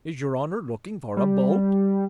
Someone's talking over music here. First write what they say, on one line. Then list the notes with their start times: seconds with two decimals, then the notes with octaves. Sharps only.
"Is your honour looking for a boat?"
1.17 G3